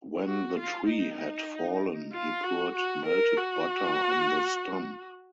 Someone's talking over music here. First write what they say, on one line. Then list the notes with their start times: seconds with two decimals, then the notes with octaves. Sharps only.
When the tree had fallen, he poured melted butter on the stump.
0.27 F#4
0.58 F4
0.89 D#4
2.13 F4
2.43 F#4
2.75 F#4
3.06 A#4
3.37 F#4